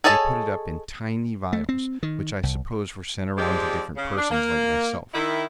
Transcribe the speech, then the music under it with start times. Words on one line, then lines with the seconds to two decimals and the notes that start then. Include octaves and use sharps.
They put it up in tiny vials which I suppose were sent around to different persons like myself.
0.04 G#4 A4 C#5 D#5 A5
1.53 A3
1.69 C4
2.03 D#3
2.43 C2
3.37 F3 G#3 C4 D#4 G4 D5
3.96 C#3
4.17 D4
4.30 A#3
5.14 D#3 E4